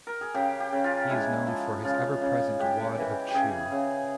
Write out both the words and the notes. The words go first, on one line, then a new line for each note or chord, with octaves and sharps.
He is known for his ever-present wad of chew.
A#4
G#4
C#3 G4
G4
C#3
F4
G#3 E4
F3
C#3 F4
C#3
G#3 G4
E3
G4
C#3 G#4
C#3